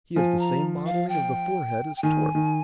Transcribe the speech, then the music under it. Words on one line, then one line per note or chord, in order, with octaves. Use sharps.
He has the same modelling of the forehead as Torp.
F3 G#5
A#5
F5
G5
G5
D#3 G#5
D#3